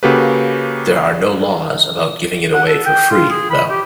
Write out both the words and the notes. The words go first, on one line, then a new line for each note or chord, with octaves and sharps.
There are no laws about giving it away for free, though.
C#3 A#3 F#4 G4 A4 B4
F#5
A4
G5
F4
G#4
B5
G4